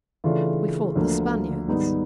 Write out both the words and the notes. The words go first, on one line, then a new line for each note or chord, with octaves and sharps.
We fought the Spaniards.
C#3 E3 A3 D4 F4
D2 D3 F3 A#3
G#2 D#3 G3 B3 D#4